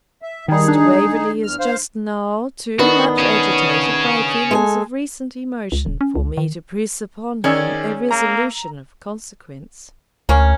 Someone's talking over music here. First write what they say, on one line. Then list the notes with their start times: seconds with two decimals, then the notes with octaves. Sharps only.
Mr. Waverley is just now too much agitated by feelings of recent emotion for me to press upon him a resolution of consequence.'
0.22 E5
0.48 D#3 G3 D#4 G#4
0.68 D4
1.43 E2 F6
1.59 C5 F5
2.79 D#3 B3 D4 F#4
3.18 C#4 G#4
4.51 G#3 A4 G#5
5.72 C#2
5.86 D#1
6.01 C#4
6.15 C#2
6.37 D#3
7.44 D#3 C#4 G#4 D5 E6
8.11 A#3 A#5
10.29 D2 A#3 C#4